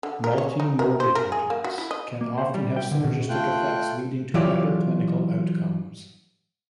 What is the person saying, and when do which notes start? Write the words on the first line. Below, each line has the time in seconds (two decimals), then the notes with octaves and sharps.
Multimodal treatments can often have synergistic effects leading to better clinical outcomes.
0.03 D3
0.24 A#4
0.38 C#5
0.60 D#4
0.79 A#4
1.00 C5
1.15 A#4
1.32 G#4
1.50 A#3
1.64 F#4
1.78 E4
1.91 D#5
2.21 A#3
2.38 C5
2.54 G3
2.76 G5
2.91 D3
3.04 B2
3.29 A3 F4 G5 F#6
4.34 E3 F#3 E4 F4 G4 D5